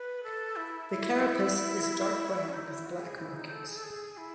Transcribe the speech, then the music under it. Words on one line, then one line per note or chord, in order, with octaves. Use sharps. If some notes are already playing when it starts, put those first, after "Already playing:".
The carapace is dark brown with black markings.
Already playing: B4
A4
E4
E4
C#4
D#4
E4
F#4
G#4
E4
D#4
A4
G#4
A4
G#4
E4